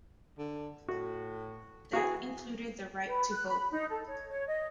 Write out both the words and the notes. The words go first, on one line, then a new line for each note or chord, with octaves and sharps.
That included the right to vote.
D3
A2 F#4
E3 F#4 G#4
B4
F#6
B5
D#4
A4
C#5
C#5
D#5